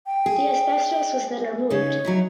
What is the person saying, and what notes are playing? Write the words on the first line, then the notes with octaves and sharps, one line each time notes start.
The asbestos was then removed.
G5
G#4
C#3 D#4 C#5
F#3 D#4 E4